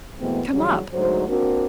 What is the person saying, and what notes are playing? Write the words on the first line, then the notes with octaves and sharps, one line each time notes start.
Come up.
B2 E3 G#3 A3 B3 C4
C#3 E3 F#3 G3
D2 G#2 F#3 C5
A#3 C4 D4 F#4